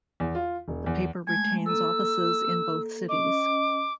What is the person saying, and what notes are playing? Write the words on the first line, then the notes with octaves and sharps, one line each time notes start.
The paper retains offices in both cities.
E2
F4
E1
E2
G#3 A3 G#6
A#3 A4 E6
C#4 D#5 D6